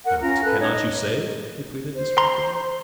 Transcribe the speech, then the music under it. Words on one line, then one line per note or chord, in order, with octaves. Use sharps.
"But cannot you say?" he pleaded, distractedly.
A#4 F#5
C#4 F4 A#5
A4 B4 F#6
D#4 C#5
D#5
C5
A#5 C6